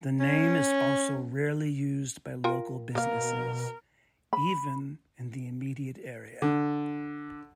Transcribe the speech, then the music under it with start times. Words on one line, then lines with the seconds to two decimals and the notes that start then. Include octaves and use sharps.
The name is also rarely used by local businesses, even in the immediate area.
0.20 C#4
2.44 F4 A#4 G5
2.95 B2 A#3 A#4 F5
4.33 B5
6.42 D3